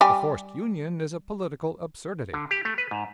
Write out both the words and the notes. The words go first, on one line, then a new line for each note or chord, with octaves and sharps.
A forced union is a political absurdity.
G3 G4 G#5
D3
G4
A3
B4
G#2